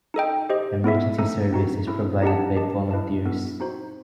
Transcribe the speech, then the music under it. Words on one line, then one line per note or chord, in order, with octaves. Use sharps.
Emergency service is provided by volunteers.
D#4 A4 D#5 G5
G4 C5 D#5
B3 E4 A4 E5
A3 C4 D#4 A4
C4 D#4 F#4
C4 E4 A4
D#4 G4 D#5 F#5 A5
G4 D#5 A5
E4 B4 D#5 A5
B3 E4 A4
C4 D#4 F#4 C5